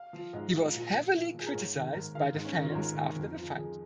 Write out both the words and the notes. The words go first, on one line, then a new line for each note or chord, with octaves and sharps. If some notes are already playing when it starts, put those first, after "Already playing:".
He was heavily criticized by the fans after the fight.
Already playing: F5
F3
G#2 D#5
F3
A#2
F3
A#2
F3
G#4
A#4
G#2 C#5
D#3
G#2 A#4
D#3 F5
G#2 D#4
C#4
D#3 D#4
F4
C#5
G#2 A#4
D#3
F2
F3
F2 G#4